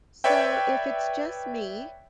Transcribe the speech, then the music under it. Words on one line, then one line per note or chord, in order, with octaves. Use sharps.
So if it's just me,
B4 C#5 D5 E5 G5